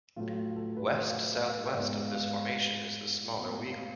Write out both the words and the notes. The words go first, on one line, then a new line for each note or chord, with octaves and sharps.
West-southwest of this formation is the smaller Weigel.
A2 F#3 A3 F4
F4
A4
B4
F5
F5
C#5
G#2 G#3 B3 D5
F5
F5
F5
A2 G#3 B3
F5